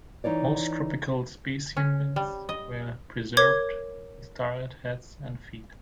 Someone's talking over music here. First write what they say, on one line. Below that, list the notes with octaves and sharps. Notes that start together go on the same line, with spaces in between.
Most tropical specimens were preserved as dried heads and feet.
E3 D#4 E4 C#5 D5
C#4
G3
D#5
A#4 C#5 D6 G#6